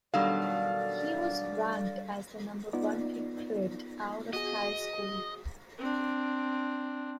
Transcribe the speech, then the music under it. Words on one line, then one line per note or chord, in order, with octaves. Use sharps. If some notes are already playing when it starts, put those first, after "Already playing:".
He was ranked as the number one recruit out of high school.
B2 D#3 F#3 G3 D4 A4 D5 F5
B3 D#4 F4 D5
F#4 G#4 D#5
C4 D4